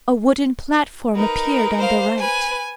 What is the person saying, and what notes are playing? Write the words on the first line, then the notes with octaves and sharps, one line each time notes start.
A wooden platform appeared on the right.
D#4 A#4 B4
C5 F5
B4 G#5